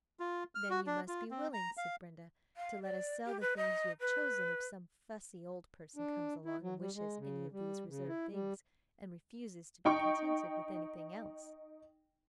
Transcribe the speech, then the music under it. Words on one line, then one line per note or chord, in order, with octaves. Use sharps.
"Then you must be willing," said Brenda, "to let us sell the things you have chosen, if some fussy old person comes along and wishes any of these reserved things, and refuses to be contented with anything else."
F4
F6
F#4
D4
F4
C4
A#5
F5
F5
D5
G4
B4
D#5
B4
D4
E4
F#3
G3
G#3
C#3
G3
C#3
E4
G3
D#4 G5 C#6